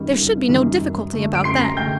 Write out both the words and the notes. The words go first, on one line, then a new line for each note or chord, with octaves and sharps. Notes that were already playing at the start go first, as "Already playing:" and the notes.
There should be no difficulty about that.
Already playing: F#1 F#2 D#3 G3
F#1
F#2 D#3 G3
F#2
D3 A3
D7
F#2 C6 C7
A#5 A#6
D3 A3 G5 G6